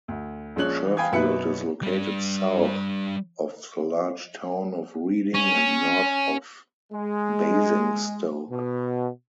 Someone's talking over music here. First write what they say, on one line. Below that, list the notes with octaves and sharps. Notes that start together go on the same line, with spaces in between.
Sherfield is located south of the large town of Reading and north of Basingstoke.
D2
A#1 F3 G#3 C#4 F#6 F#7
E3
F5 G5 G#5 B5 D#6 G#6
F#2 B2 B4 E5 F#6 C#7
G3 D4
C#4
G#3
B2